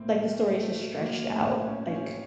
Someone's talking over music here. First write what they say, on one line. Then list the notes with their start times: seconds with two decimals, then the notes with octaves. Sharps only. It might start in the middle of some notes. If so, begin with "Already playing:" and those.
like, the story is just stretched out, like,
Already playing: A2 A#3 C4
0.10 A2 A3
0.40 A2
0.55 A3
0.70 F#3
0.94 A3
1.00 F#3 A#3
1.23 A#3
1.29 A2
1.38 A#3
1.45 C4
1.60 A2
1.67 C#4
1.89 F#3 C#4